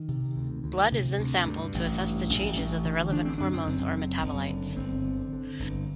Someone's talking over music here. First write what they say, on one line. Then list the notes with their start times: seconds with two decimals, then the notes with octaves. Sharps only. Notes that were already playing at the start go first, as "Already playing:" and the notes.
Blood is then sampled to assess the changes of the relevant hormones or metabolites.
Already playing: D#3
0.08 C3
0.36 D2
0.64 D2
0.92 C3
1.19 D2
1.46 G2
1.74 A1
2.01 G2
2.29 A1
2.56 A1
2.85 D3
3.12 D3 D4
3.25 C4
3.38 F#2 D4
3.53 C4
3.67 F#1
3.95 F#2
4.22 F#1
4.50 D3
4.77 G1 C4
5.05 D3
5.33 D3
5.60 G1